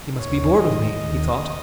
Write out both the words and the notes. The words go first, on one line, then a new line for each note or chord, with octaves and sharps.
"He must be bored with me," he thought.
D#2 D#3 C#5
G#2 D#3 D#5
D#2 D#3